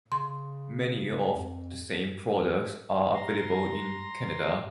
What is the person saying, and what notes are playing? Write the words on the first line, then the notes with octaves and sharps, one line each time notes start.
Many of the same products are available in Canada.
C#3 C6
F2
A#5 C6